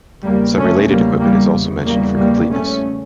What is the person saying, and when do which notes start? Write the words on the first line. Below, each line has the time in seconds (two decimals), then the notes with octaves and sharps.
Some related equipment is also mentioned for completeness.
0.24 E2 C#3 G3 A#3
0.56 A3 C#4
0.89 G3 A#3
1.21 G3 A#3
1.54 E2 C#3
1.86 G3 A#3
2.17 G3 A#3
2.50 A3 C#4